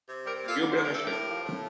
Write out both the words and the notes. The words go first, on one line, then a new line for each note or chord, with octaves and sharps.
You blemished it.
C3
G3 G4 A#4
A#3
F4 A4
D3
C5
G2
A#4
A3 A4
G4 A#4
A2
F3
A2